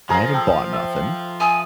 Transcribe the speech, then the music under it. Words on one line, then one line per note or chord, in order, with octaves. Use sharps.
I haven't bought nothing."
F3 G#4 A#5
A4 G5
E5
E5 G#5 D#6